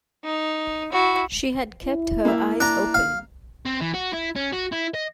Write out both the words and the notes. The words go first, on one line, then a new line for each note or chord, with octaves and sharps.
She had kept her eyes open.
D#4
E4 F#4
E4
A#3 E5
D4 A#5
F5
C4
E3
F#4
E4
C#4
F#4
E4
D#5